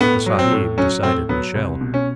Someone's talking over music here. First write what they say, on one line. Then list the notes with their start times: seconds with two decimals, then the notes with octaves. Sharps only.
The "Sahib" decided Michele.
0.01 A2 B3
0.26 F#3
0.39 C4
0.52 A2
0.78 F#3 C#4
1.03 A2 C4
1.29 F#3 B3
1.55 C2
1.81 B2
1.94 C#4